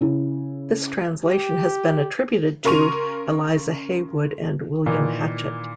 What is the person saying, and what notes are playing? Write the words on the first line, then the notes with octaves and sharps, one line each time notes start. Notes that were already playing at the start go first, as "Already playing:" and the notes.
This translation has been attributed to Eliza Haywood and William Hatchett.
C#3 E4
G4
C#3 A#4 C6 C#6 D#7 F7
A#2 D#3 E3